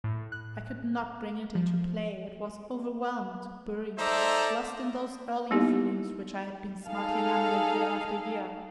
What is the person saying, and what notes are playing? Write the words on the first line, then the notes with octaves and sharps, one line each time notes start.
I could not bring it into play; it was overwhelmed, buried, lost in those earlier feelings which I had been smarting under year after year.
A2
F#6
F3
D#4 A4 C5 D5 E5 A#5
G3 A#3 B3 D#4 E4 G4
D#4 G#4 A4 F5